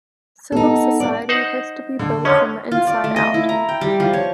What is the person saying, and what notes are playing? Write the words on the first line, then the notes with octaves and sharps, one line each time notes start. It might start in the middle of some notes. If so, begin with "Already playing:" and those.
Civil society has to be built from the inside out.
B3 D#4 A4
D4 D5
D#4 C5 F#5
D3
D3 F3 C#4 C#5
F4
D5
A3
D#5
E4
A#5
G5
G3
F3
C#5